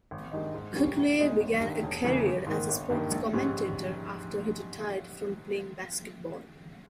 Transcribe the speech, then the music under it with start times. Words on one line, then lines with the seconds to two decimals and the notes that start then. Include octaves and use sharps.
Kutluay began a career as a sports commentator, after he retired from playing basketball.
0.11 G#1
0.32 G2 D#3 G#3 D#4
0.54 G#2
0.75 D#3 G3 C#4
0.97 C#2
1.19 B2 G#3 D#4
1.40 G1
1.61 G2
1.66 D#3
1.83 E1
2.04 D#2 C#3 E3 A#3
2.25 G#1
2.47 G#2 D#3 A#3
2.69 G1
2.90 G2 D#3 A#3
3.12 A#1
3.33 G#2 G3 C#4